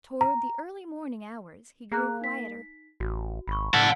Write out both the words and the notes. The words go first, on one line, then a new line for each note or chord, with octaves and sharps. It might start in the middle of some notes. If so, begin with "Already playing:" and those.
Toward the early morning hours he grew quieter.
A#5
A#3 G#4 A#5 F#6
D#4 B6
A1 F#4
G#1 B5 C#6
A2 F#5 A5 E6 F6 B6